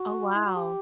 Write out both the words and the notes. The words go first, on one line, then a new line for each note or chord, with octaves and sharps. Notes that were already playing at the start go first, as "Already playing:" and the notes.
Oh, wow.
Already playing: F#4
E4
F#4
G4